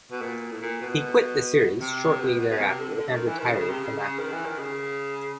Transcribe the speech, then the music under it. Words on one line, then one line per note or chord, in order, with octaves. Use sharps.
He quit the series shortly thereafter and retired from acting.
B2
A#2
A2
A#2
B2
C3
B2
B2
B2
C3
D3
D3
D#3
E3
D#3
C#3
C#3
C3
C#3
C#3
D#3
E3
D#3
C#3